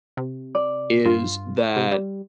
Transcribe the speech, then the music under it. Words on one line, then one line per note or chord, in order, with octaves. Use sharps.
is that
C3
D5
G2 F4
C3
G3